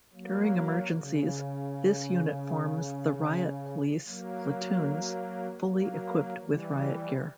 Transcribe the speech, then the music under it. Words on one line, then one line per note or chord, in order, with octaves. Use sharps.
During emergencies, this unit forms the riot police platoons fully equipped with riot gear.
F#3 A#3
C#3
F#3 A#3
F#3 A#3
E3 G3